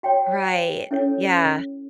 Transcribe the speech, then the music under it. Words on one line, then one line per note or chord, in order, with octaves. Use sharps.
Right. Yeah.
F#4 C#5 G5
C#4 E4 A4 C#5